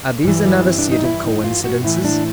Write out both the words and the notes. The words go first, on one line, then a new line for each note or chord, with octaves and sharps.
Are these another set of coincidences?
G2 E3 G3
G3
C4
D4
D#4
E4
D#4
F4
F#4
A2 E3 E4
D4